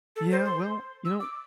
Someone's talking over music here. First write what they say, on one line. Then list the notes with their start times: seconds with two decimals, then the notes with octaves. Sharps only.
Yeah. Well, you know,
0.16 A4
0.32 C5
0.46 C6
1.05 E6
1.20 D6